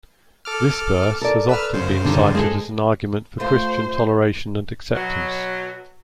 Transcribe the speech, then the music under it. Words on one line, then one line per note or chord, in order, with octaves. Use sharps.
This verse has often been cited as an argument for Christian toleration and acceptance.
A4 D6 F6
A4 A#4 D5
B4 E6 F6
F#2 C#3 C5
D3 D#3 G3
G#3 G#4 A4
A3 F4 C5
B2 F#3